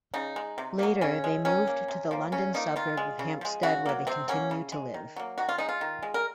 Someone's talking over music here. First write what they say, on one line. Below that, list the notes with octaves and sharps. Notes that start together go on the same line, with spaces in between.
Later they moved to the London suburb of Hampstead where they continue to live.
C#3 D#4
G#3
C3
F#3 A#3
C#3 C#4
G#3
D#3 C#4
A#3
C3
F3 A#3
C#3 C#4
F3 A#3 D#4
D#3 F4
G#3
C#3
F3 G#3
C#3 F#4
F#3 A#3
C3 C4
F#3 A#3 C#4
C#3
G#3
D#3
F#3 A#3
D#3 F#4
F4
G#3 D#4
F4
D#3
G#3
A#4